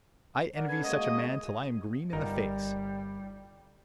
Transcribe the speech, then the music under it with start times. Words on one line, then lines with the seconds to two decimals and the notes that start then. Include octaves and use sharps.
I envy such a man till I am green in the face.
0.56 A#4 D5 F#5
0.69 C#4 A4 B4 G#6
0.83 G#3 A#3 F#4 D#5
2.13 G1 G3 D#4 A#4